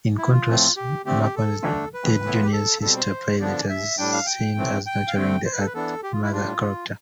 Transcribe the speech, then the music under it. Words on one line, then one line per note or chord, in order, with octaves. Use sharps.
In contrast, Macon Dead Junior's sister, Pilate, is seen as nurturing-an Earth Mother character.
E4
F4
A2 F3 A3 C4
G4
D3 A3 C4 G4
G4
A4
D3 A3 D4
B4
A2 E3 B3 E4
F4
G4
A4
B2 G3 C4 A4
C5
D3 F3 B3 D4 D5
E5
A2 G3 D4 G5
F5
G5
A2 E3 A3 C4
G5
F5
D3 A3 C4 G5
C5
B4
A4
B4
E3 B3 D4 A4
G4
F4
E4
A2 G3 D4 F4